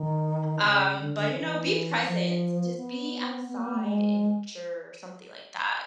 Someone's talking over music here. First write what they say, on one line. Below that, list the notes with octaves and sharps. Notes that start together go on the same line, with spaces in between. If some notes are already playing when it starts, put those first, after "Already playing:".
Um, but, you know, be present. Just be outside in nature or something like that.
Already playing: D#3
C#3
D3
D3
E3
F3
B3
B3
A#3
B3
A3
G#3